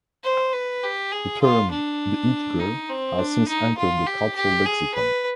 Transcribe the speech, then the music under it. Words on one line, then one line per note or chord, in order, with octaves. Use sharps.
The term "The It girl" has since entered the cultural lexicon.
C5
B4
G4
G#4
F4
D4
D#4
C4
D4
D#4
F4
G4
G4
G#4
B4